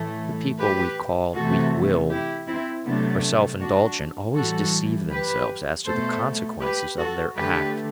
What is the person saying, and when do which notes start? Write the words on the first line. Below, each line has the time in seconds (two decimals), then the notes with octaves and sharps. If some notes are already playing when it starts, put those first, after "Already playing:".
The people we called weak-willed or self-indulgent always deceive themselves as to the consequences of their acts.
Already playing: A2 E3 A3
0.59 G4 B4
1.34 C3 E3 A3 F#4 A4
2.09 E4 G4
2.47 C4 E4
2.85 C3 F#3 A3 B3 D4
3.59 D4 F#4
4.34 A2 E3 G3 F#4 A4
5.10 G4 B4
5.85 B2 A3 A4 C5
6.60 G4 B4
6.98 F#4 A4
7.36 D3 A3 G4 B4